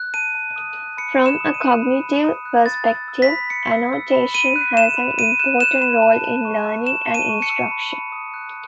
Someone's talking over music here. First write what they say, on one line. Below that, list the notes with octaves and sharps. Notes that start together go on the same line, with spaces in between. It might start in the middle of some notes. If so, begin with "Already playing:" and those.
From a cognitive perspective annotation has an important role in learning and instruction.
Already playing: F#6
A5 D#7
A5
D#6
F#6
B5 C#7
B5
E7
D#6
D#7
F#6
B5
B5
D#6
F#6
B5 A6
E6
A6
E6
B6
B5
B5 C#7
E6
E6
B5
B5 D#7
F#6
F#6 E7
B5
B5 D#7
F#6 E7
F#6 E7
B5 E7
A5
A5
C#6
E6
A5 E7
A5
D#7
C#6
C#7
E6
B5
B5
D#6
F#6